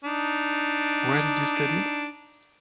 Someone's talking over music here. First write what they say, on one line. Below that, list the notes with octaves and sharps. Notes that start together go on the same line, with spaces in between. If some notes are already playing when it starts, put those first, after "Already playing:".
Where did you studied?
D4 D#4